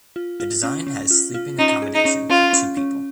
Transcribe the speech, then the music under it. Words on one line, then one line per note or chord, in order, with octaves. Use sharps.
The design has sleeping accommodation for two people.
F4
F4
C#4
C#4
F4
F4
C#4 D#4
G#4
D#4
C#4
C#4 F4
C#4
C#4